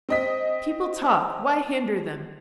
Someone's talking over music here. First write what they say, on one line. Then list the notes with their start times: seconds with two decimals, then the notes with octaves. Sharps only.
People talk, why hinder them?
0.09 C4 D#5 B6